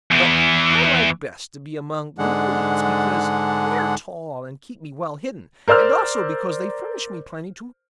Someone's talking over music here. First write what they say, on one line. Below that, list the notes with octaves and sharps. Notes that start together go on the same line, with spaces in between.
But I like best to be among the weeds because they are tall and keep me well hidden, and also because they furnish me plenty to eat.
E2 E3
G#2 D3 G#3 D4 F#5
A#4 C5 D5 E6 F6